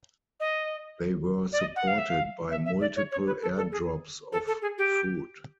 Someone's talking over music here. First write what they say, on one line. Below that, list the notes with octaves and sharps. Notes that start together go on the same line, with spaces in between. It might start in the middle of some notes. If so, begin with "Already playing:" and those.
They were supported by multiple air drops of food.
D#5
D5
D#5
F#5
F5
E5
F5
E5
E5
D5
C#5
C#5
B4
A4
A4
G#4
A4
A4
G#4
G4